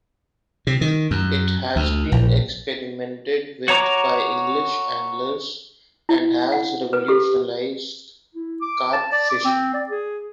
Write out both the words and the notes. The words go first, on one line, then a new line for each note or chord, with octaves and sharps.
It has been experimented with by English anglers, and has revolutionised carp fishing.
C3
D#3
F#2
D2
A#1
F#4 C#5 A#5 D6
E4
F#5
B4
G4 A4
E4
D6
A5
D5
D6
C4
D5
G#4